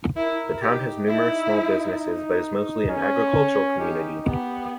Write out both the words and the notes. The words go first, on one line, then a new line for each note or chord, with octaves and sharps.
The town has numerous small businesses but is mostly an agricultural community.
E4 A#4
D#4 G4
E4
C#4
D#4 G4
B3 G4